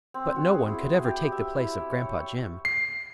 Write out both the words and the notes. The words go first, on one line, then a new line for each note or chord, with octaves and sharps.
But no one could ever take the place of Gran'pa Jim.
C4
F#4
G#4
E4
G4
E5
E4
C#5
C7